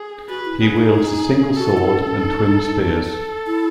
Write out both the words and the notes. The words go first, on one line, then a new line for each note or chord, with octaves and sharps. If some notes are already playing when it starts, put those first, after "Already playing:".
He wields a single sword and twin spears.
Already playing: G#4
F#4 B4
E4
E4 G#4
D#4
F#4 A4
E4
C#4
D#4
A4
E4